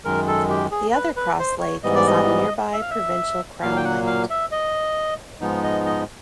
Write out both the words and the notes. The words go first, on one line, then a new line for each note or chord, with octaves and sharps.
The other Cross Lake is on nearby provincial Crown land.
F#2 D#3 G#3 A#4
A4
G4
G#4
B4
B4
C5
C#5
G#2 E3 G3 B3 D#5
D5
D#5
E5
F5
E5
A#2 F#3 A#3 F5
G5
F#5
F5
E5
D#5
G#2 F3 G#3 B3 D#4
D#5
D#5